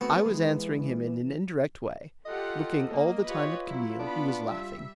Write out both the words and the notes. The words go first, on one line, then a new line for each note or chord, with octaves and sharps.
I was answering him in an indirect way, looking all the time at Camille, who was laughing.
A3 B3 C4 F#4
E3 G#3
F4 G4 A4 D#5 F#5
A#3
F4 G4 B4 C#5
F#3 E4
B3 D4 B5
G3 E5